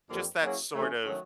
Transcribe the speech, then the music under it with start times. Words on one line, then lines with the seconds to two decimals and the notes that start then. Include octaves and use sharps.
just that sort of
0.08 F2 D3 G3 A#3
0.40 F#3 A#3 C#4 E4 G#4
0.72 C#3 E3 A3 C#4
1.04 D#3 F#3 A3 C#4